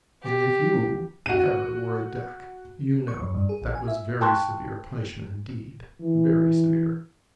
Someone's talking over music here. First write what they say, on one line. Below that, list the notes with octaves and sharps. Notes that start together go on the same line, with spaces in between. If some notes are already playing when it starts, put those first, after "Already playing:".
And if you ever were a duck you know that was very severe punishment indeed, very severe.
G4
F#4 D#7
C#6
F#2
G2
G#4
A#1
G#5
E5
G5 A5 C6 C#6 F#6
E3